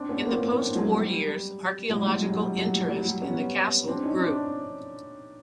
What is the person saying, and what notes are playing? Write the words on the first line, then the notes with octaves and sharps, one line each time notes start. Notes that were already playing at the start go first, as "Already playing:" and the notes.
In the post-war years, archaeological interest in the castle grew.
Already playing: C4 D4
B3 C#4
A#3 C4
B3
A#3 C4
C4 D4
F#3 G#3
G3
F#3 G#3
G3
F#3
G3
F#3
G3
F#3
G3
B3 C#4
C4 D4
C#4 D#4
C4 D4